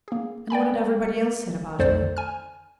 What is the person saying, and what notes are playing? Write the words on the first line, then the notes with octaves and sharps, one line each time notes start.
And what had everybody else said about her?
A#3 G#4
D5 G5 G#5 B5
C#7
B1 F2 A3 A4 C5 D5
G#5 F6